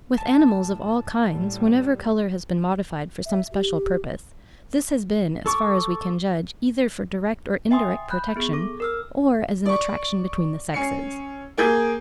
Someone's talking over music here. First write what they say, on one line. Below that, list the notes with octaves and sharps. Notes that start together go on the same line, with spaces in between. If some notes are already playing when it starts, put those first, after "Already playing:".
With animals of all kinds, whenever colour has been modified for some special purpose, this has been, as far as we can judge, either for direct or indirect protection, or as an attraction between the sexes.
A2 A5
A2 G3
E5
G4
A4 C#6 D6
E5 G5 G#5 C6 D#6
B5 F#6 G6
B3 G#4
A4 D6
A#4 E6 F6
D5 C#6
C#4 C7 C#7
A#3 G#4 G6